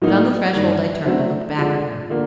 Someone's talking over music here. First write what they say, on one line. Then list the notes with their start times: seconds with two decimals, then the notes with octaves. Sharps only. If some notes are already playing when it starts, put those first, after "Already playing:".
But on the threshold I turned and looked back at her.
0.02 A2 F#3 A#3 D#4
0.53 G2 D#3 G3
1.05 D3 F#3 A3 C4 E4
1.57 D3 F3 G#3
2.10 D3 F3 A#3